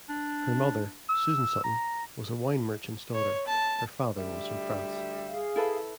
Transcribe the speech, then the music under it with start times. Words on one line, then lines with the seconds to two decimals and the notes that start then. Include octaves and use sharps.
Her mother, Susan Sutton, was a wine merchant's daughter; her father was from France.
0.09 D4
1.09 E6
1.64 A#5
3.14 C#5
3.47 A5
4.16 D2 G3 E5
5.30 G#4 F5
5.56 E4 A4 B4